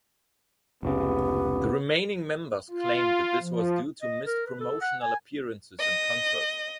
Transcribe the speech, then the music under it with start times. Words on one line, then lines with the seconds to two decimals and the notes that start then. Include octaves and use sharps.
The remaining members claimed that this was due to missed promotional appearances and concerts.
0.83 F1 C#2 C#3 B3 G4
2.71 F4
3.40 F3
4.02 D#5
4.26 A#4
4.46 B4
4.60 A4
4.81 F#5
5.02 G#5
5.79 D#5